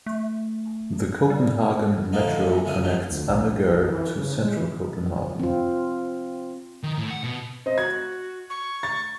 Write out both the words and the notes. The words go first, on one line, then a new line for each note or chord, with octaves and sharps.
The Copenhagen Metro connects Amager to central Copenhagen.
A3
G3
D3 D#3 F3 A3 A#3 D#4
F2 C3
C#2 C3 G3 G#4 G#5 D#6
G2 F3 F#3 G#3
D2
A#1
C#2
B1
E3
C#3
G#3
E3
C4 F4
D#3
A2
F#5
B2
C4 D#5
F#4 G#6
C#6
A6